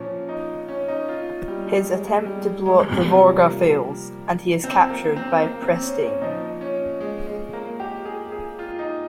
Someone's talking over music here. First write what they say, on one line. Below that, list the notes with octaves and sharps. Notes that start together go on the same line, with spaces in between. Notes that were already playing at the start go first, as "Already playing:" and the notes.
His attempt to blow up the "Vorga" fails, and he is captured by Presteign.
Already playing: A#2 F3 C#4
D#4
C#4
D#4
F4
G3
G3
G#3
G#3
G3
G#3
C3 F3 G3
A#3
C4
A#3
C4
A#3
C4
C#4
C#4
A#2 F3 D#4
C#4
G#3
G#3
A#3
G4
G#4
G#4
F4
D#4